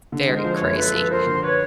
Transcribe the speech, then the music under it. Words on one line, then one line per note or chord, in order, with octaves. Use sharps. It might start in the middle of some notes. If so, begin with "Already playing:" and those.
very crazy
D3
G#3
A#4 C5
F3
B4 C#5
F#2
F3 A4 B4
F3
F3 A#4 C5
D3
B4 C#5